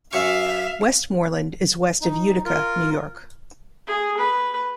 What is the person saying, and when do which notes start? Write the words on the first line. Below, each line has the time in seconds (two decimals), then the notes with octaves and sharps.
Westmoreland is west of Utica, New York.
0.13 F#2 E5 F5 C#6
2.02 D#4
2.45 F4 A#4
3.87 G#4
4.17 B4